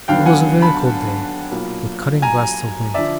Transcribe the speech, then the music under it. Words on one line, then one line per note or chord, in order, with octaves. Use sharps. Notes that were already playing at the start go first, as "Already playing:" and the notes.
It was a very cold day, with cutting blasts of wind.
D#2 D3 F#3 B3 F5 G5
F#5 G#5
A5 B5
B1 A#2 F#3 A#3
G#5 A#5
D3 F3 D5 E5